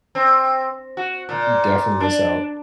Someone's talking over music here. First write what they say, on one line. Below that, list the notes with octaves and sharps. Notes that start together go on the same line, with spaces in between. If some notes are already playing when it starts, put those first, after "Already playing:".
Y you definitely miss out.
C4
F#4
A#2
D4